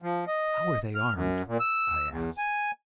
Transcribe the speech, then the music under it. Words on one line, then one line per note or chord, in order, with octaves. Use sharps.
"How are they armed?" I asked.
F3
D#5
F6
F#2
A#2
E6
E2
G#5